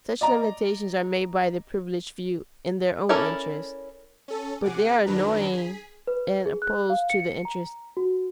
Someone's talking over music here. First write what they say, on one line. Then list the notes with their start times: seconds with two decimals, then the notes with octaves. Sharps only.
Such limitations are made by the privileged few in their own interest, but they are annoying and opposed to the interests of the many.
0.21 D5 D#5 A#5
3.09 C#4 E4 A4 A#4 D5
4.28 C#4 A4
4.63 C3 G#4 F#5 D6
5.06 F#2 D#3 F#3 D4 B4 A#5
5.53 G#4 B6
6.07 B4
6.46 G#4
6.62 F#6
6.90 F5
7.10 C#7
7.45 A#5
7.97 F#4